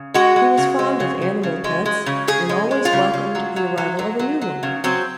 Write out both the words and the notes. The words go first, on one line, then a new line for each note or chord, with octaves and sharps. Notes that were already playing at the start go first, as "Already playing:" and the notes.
He was fond of animal pets, and always welcomed the arrival of a new one.
Already playing: C#3
G#3 F#4
G#3
C#3
G#3
C#3
C#3
C#3
G#3
G#3
C#3
C#3 G#4
G#3
G#3
F4
C#3
C#3
F#3
F#3
F#3
F#3
F#3
F#3
C#3
F#3 C4